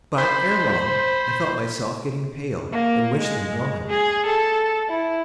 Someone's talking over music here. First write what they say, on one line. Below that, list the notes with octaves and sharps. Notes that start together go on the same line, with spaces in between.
But, ere long, I felt myself getting pale and wished them gone.
C5 B5
A#3
G#3
G#4
A4
E4